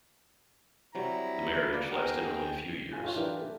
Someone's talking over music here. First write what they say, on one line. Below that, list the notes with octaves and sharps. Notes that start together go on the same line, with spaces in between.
The marriage lasted only a few years.
C3 F#3 G3 E4 A#5
A#3 B4 D5
B3 D#4 G#4 A#4 G5
F#2 A2 G#5 F#6 D#7
F4 A4 C#5 G5 C6 C#6
E3 D4 F4 G4 A#4 B4
A3